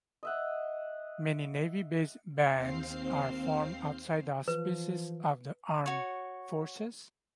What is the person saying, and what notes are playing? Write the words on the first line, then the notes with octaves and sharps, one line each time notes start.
Many navy based bands are formed outside the auspices of the armed forces.
D#5 E5 F#5
D#2 C4 C5 F5 C7
E3 F3 B4
F#4 C#5